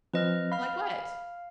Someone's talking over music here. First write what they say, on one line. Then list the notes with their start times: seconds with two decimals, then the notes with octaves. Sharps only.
"Like what?"
0.14 F3 C4 B4 D#5 F6
0.52 F5 B5 F6